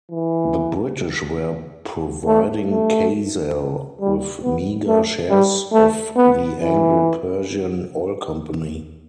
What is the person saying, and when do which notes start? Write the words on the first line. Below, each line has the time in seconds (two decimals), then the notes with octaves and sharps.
The British were providing Khaz'al with meager shares of the Anglo-Persian Oil Company.
0.11 E3
2.27 A3
2.71 A3
4.01 G3
4.44 B3
4.87 A3
5.30 G3
5.73 A3
6.17 B3
6.60 E3